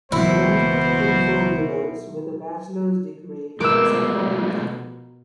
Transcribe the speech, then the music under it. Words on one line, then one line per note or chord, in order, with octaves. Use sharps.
He graduated in four years with a bachelor's degree in psychology.
C#2 B2 E3 A#3 E4 C5
B2 F3 G#3 A3 A#4 B4 D6 E6